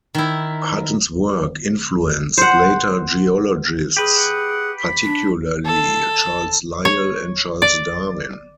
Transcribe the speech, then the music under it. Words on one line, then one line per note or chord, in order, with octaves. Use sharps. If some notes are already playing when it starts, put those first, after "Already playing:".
Hutton's work influenced later geologists, particularly Charles Lyell and Charles Darwin.
D#3 E4
C5 F#5
G4 G#4 B4
F#5
B5
D4
A4
C#5
D5